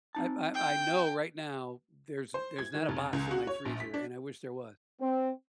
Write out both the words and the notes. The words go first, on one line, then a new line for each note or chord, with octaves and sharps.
I I I know right now there's there's not a box in my freezer, and I wish there was,
C4 D#4 A5
G5
C5
G#6
D#3
F1
C#2
F#4
C#5
A#1
B6
D4
C4